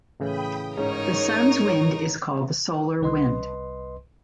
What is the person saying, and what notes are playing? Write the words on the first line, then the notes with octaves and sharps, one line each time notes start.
The Sun's wind is called the solar wind.
A2 C#3 E3 G5 B5 D#6
G#2 C#4 D#4 A#4 C#5
C2 B4 D#5 C6